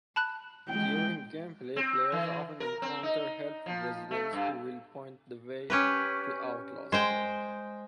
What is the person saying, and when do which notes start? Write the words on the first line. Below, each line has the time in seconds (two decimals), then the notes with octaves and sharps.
During gameplay, players often encounter helpful residents who will point the way to outlaws.
0.16 A5 B5 F#6
0.70 G#3 G5
1.76 C4
2.12 E3
2.60 A#4
2.82 C4
3.03 D#4
3.66 F3
4.11 A3
4.33 G2
5.70 C#4 G4 B4
6.92 G#3 C5 G5